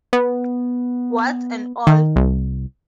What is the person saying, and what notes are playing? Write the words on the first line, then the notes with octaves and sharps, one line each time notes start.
Warts and all.
B3
D#3
C2